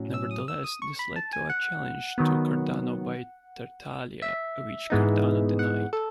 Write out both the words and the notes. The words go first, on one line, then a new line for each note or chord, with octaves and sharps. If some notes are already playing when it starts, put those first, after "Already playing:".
Nevertheless, this led to a challenge to Cardano by Tartaglia, which Cardano denied.
Already playing: A2 F#3 C#4
E6
D#6
E6
D#6
C#6
B5
A5
G#5
F#5
D#3 F#3 B3
E5
G#2 E3 G#3 B3 D#4
F#5
A4